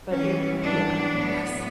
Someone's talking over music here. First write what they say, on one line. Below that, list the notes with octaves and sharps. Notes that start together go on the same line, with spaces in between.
But it yeah. It was
G#2 E3 G3 B3 C#4
D4
A2 F#3 B3